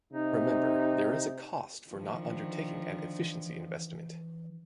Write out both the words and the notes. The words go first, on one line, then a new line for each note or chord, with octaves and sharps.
Remember there is a cost for not undertaking an efficiency investment.
C3 D#4
D3 D#3 F3
E3